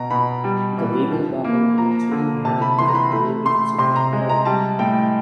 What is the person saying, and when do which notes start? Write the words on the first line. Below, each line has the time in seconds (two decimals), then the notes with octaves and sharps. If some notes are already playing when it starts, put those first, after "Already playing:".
The legal battle eventually made it to the Peruvian Supreme Court.
Already playing: B2 A#5
0.10 B2 B5
0.44 G3
0.77 E3
1.11 F3
1.44 A#3
1.78 F3 A#5
2.11 D3
2.45 C3 A5
2.62 B5
2.78 E3 C6
2.88 A#5
2.95 B5
3.12 A3 B5
3.45 A3 C6
3.78 C3 C6
3.96 A#5
4.13 G#3
4.29 A#5
4.45 G3 A5
4.79 A2 G5